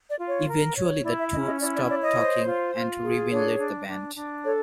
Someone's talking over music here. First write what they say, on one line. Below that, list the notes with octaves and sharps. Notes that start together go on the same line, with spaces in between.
Eventually, the two stopped talking, and Rybin left the band.
D5
F4
C#5
A#4
C#5
E4 D5
E5
C#4 D#5
D#5
E4 D5
D5
C#5 D5
D#5
C5
F4
F4
G#4
D4 C#5
D4
D4
D4
A4 C#5